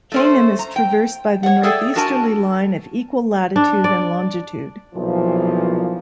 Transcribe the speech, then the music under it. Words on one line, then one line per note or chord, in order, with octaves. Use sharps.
Kanem is traversed by the northeasterly line of equal latitude and longitude.
A3 C#4 C5
A#5
G5
C#5 F#5
G#4 A4 D5 E5 G5
D4 F#4 A#4 G#5 A5
D4
D5
B1 A#2 E3 F3